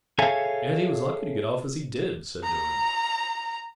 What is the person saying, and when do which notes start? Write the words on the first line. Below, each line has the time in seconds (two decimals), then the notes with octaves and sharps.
"Yet he was lucky to get off as he did," said Durham.
0.19 G#4 A4 C#5 E5 F5 G#5
2.44 A#5